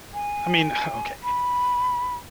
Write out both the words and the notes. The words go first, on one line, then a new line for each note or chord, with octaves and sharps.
I mean, okay,
G#5
B5